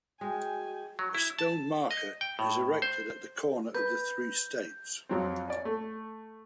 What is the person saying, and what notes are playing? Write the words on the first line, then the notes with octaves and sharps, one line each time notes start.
A stone marker is erected at the corner of the three states.
G#3 F#4 G5 G#5
F#3
E4
A5
D#5
G5
A2
C5
B4 G6
F2 F#3 C4
C#4 D5
A3